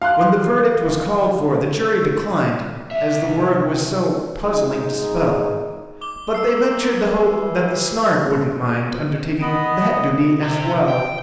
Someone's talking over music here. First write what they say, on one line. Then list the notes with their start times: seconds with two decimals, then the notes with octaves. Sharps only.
When the verdict was called for, the Jury declined, As the word was so puzzling to spell; But they ventured to hope that the Snark wouldn't mind Undertaking that duty as well.
0.02 F5 C6 F#6
2.91 C2 E5
4.42 G#1 G#3 D#4
6.01 D6 G7
6.34 A#3 E6 C7
7.31 E3
9.42 B3 D#5
10.43 C3
10.88 G5